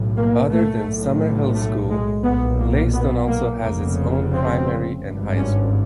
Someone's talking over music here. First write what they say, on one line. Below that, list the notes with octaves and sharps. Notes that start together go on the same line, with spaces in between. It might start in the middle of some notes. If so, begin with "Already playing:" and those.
Other than Summerhill School, Leiston also has its own primary and high school.
Already playing: B1 A2
A#3
A3
B1 A2
A3
G#3
B1 A#2 B3
A#3
B3
A#3
F1 F2 C#3 A#3
C4
G#1 G2
C#4